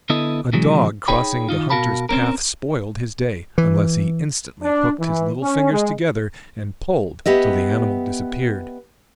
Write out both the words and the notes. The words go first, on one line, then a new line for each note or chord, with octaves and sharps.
A dog crossing the hunter's path spoiled his day, unless he instantly hooked his little fingers together, and pulled till the animal disappeared.
D3 B3 E4 A4 D#5
C3 E3 F#3 G#3
D#4 G#4 C#5 G5 B5
D#3 D#4 F4
B2 F#4 A#4 F5 A5 B5
C4 C#4 A#4
E3
D4
E3
C#4
G#3
B3 G4 D#5 E5